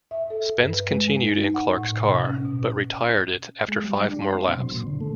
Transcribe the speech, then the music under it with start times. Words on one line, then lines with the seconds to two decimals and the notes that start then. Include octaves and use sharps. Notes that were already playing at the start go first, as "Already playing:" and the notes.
Spence continued in Clark's car, but retired it after five more laps.
0.11 E5
0.30 A4
0.59 G2
0.72 B4
0.91 G#3
1.08 G#5
1.22 D#4
1.54 F#5
1.74 A2
1.97 C3
2.24 C#4
2.45 B2
3.68 G#3
3.84 G3
4.07 D4
4.22 C6
4.34 C4
4.48 B2
4.60 F#3
4.72 A#2
4.87 D3
5.01 A3